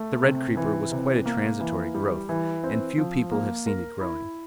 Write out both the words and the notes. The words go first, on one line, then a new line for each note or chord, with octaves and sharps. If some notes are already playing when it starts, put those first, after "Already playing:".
The red creeper was quite a transitory growth, and few people have seen it growing.
Already playing: A3
C3
E3
C3
A#3
E3
G3
E3
C4
F3
A#3
A#4
E4